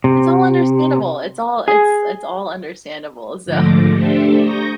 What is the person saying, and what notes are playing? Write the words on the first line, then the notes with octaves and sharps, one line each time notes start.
It's all understandable, it's all it's it's all understandable, so,
C3
G#4
G#2 D3 F3 A3 D6 A#6
A3 D4 G4 A4 C5 E5
A#5 C#6 D#6 G6 A#6